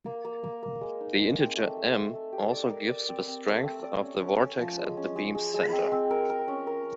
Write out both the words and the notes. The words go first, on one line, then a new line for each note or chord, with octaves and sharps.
The integer "m" also gives the strength of the vortex at the beam's centre.
A#3
A#3
A#3
A#3
G#3
D#4
G#3
C4
A3
A3
A3
A3
G4
D5
A#4
D5
C4
C4
A3
C4
D5
C#4
C#4
C#4
F3
G#3
C#4
G#3
G#3
G#3
C4
C4
A#4
A#4
C#4
A#4